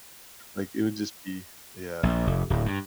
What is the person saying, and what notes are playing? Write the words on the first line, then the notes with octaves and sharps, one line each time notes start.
like, it would just be Yeah.
A#1
F1
D1
G2